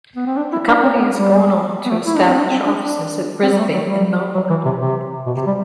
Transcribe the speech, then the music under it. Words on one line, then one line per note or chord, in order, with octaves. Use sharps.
The company has since gone on to establish offices at Brisbane and Melbourne.
B3
C4
D4
E4
D4
C4
B3
G3
B3
A3
E4
D4
C4
D4
C4
D4
D4
C4
G3
A3
F#3
G3
F#3
E3
C3
C3
B2
C3
G3